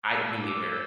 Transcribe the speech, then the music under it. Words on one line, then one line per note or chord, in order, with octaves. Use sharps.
I me either.
E6
E6
D6
E6